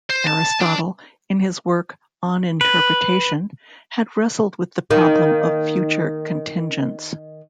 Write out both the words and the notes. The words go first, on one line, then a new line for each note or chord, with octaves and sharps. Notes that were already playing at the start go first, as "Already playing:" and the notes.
Aristotle, in his work "On Interpretation", had wrestled with the problem of future contingents.
C5
A5
D4
B4
D#3 A#3